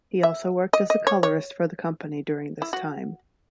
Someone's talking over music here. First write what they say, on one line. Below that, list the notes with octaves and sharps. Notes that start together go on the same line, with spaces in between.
He also worked as a colorist for the company during this time.
E5
D#5
D#5
C#5
C#5
E4
F#4